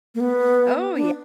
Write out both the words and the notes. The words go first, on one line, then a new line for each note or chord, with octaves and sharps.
Oh, yeah.
A#3
B3
D4